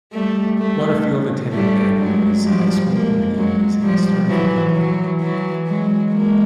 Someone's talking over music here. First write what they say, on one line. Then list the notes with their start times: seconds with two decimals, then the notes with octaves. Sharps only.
Waterfield attended Van Nuys High School where he was a star football player.
0.13 G3 A3
0.59 G3 A3
1.51 G3 A3
1.98 F#3 G#3
2.43 F3 G3
2.90 G#3 A#3
3.36 F#3 G#3
3.82 F3 G3
4.28 E3 F#3
4.74 E3 F#3
5.21 E3 F#3
5.67 F#3 G#3
6.12 G#3 A#3